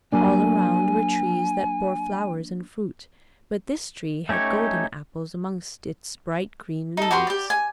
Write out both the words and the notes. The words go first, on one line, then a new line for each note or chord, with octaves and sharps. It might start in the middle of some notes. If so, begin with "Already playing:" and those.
All around were trees that bore flowers and fruit, but this tree had golden apples amongst its bright green leaves.
F#3 A#3 D4 G#5
A3 C#4 D#4 G4 C#5
D#4 A4
F#4 G4 B4 C6
G4 D5
G#5